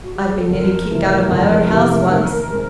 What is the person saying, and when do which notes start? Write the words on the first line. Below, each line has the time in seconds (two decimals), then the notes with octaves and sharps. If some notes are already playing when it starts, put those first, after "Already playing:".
I've been nearly kicked out of my own house once.
0.04 F#4
0.15 G4
0.27 G#4
0.38 A4
0.50 F2 A#4
0.90 C3 E3 A3
1.30 F2
1.70 C3 E3 A3
2.10 D#3
2.50 G#3 C4